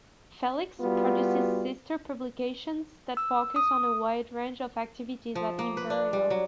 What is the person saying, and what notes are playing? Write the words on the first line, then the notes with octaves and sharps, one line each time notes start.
"Felix" produces sister publications that focus on a wide range of activities at Imperial.
G3 B3 F4 F#4
E6
D#6
F3
A#3
B4
D4
G3
F#3